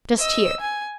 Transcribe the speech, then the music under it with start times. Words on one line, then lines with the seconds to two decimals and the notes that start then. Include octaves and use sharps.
Just here.
0.18 D#5 E6
0.60 G#5